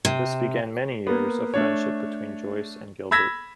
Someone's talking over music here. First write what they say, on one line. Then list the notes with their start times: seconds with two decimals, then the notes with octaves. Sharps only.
This began many years of friendship between Joyce and Gilbert.
0.05 C3
1.07 A#3 B3
1.54 A3 D4 C#5
3.11 B5 E6 G#6 A#6 B6 E7